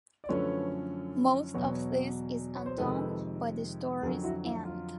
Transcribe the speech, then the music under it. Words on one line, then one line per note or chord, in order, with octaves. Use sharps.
Most of this is undone by the story's end.
D5
F#2 D3 F3 A3 C#4 B4 C#5
E2 B2 F#3 B4 C#5
C#5
C5
F2 C3 D#3 G#3 A4 B4
F2 D3 F#3 G#4 A#4
E4 F#4
E4
F4